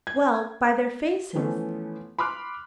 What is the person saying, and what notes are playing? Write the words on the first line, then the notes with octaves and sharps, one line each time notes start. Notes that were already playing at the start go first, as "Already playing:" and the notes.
'Well, by their faces....'
G#6
E3 F3 A3 B3 C#4
B5 C6 D6 F6 F#6